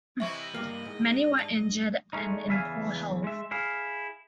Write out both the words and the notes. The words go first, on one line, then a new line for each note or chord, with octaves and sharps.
Many were injured and in poor health.
C3 E3 E4 D#5 E5 C#6 G#6
G2 A#3 F6
G#2
D5 A5
G#3 A3 C#4 D#4
E2 C#3 E3 E5 F5 G#5
G#3 E5
E4 G#4 F5